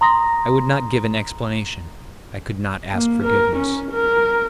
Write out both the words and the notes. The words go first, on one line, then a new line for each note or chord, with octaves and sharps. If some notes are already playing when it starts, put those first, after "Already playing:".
I would not give an explanation, I could not ask forgiveness.
A#5 C6 D#6 A#6
A#3
A#4
C#4
A#4